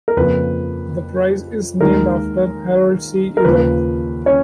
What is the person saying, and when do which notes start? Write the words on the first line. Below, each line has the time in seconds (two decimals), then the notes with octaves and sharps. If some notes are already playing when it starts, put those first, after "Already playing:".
The prize is named after Harold C. Urey.
0.08 A#4
0.17 F2 C#3 F3 A#3 B4
1.81 D#2 D#3 G#3 A#4
3.37 A#4
3.45 D#2 C#3 F3 A#3 B4
4.26 C#4 C#5